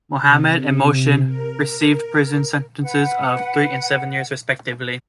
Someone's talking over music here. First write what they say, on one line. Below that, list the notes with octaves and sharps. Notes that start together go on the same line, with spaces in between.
Mohammed and Mohssin received prison sentences of three and seven years respectively.
C3
A#4
B4 F#5